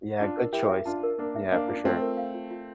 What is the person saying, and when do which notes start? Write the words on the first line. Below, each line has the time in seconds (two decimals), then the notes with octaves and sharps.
Yeah, good choice. Yeah, for sure.
0.20 D4 F4 A5
0.37 A#4
0.53 E4 G4 A#4
0.69 E5
0.86 D4 F4 A5
1.03 A#4
1.18 A#3 D4 A#4
1.35 E5
1.51 A#3 D4 F5
1.68 F4
1.76 D4
1.85 A3 C4 F4
2.01 A#4
2.17 F5
2.34 F4
2.51 F4